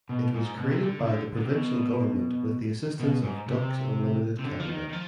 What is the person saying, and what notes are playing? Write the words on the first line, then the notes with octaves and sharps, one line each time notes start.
It was created by the provincial government with the assistance of Ducks Unlimited Canada.
B2
G#2
B2
C3
D3
C3
D3
D3
C3
B2
B2
G#2
C3
C3
D3
F3
D#3
D#3
F3